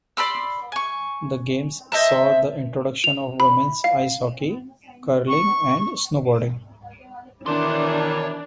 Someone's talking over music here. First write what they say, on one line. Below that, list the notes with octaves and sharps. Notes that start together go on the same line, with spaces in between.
The Games saw the introduction of women's ice hockey, curling and snowboarding.
D5 B5 C6 E6
G#5 C#6
C5 D#5 E5 A5
F7
B5
F5
C#6
B2 D#3 E3 D4 E4 C#5 C6